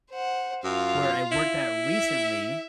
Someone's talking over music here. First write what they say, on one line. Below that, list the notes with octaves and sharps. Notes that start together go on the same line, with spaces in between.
where I worked at recently
C5 F#5
F#2 F4 F5
E4
E5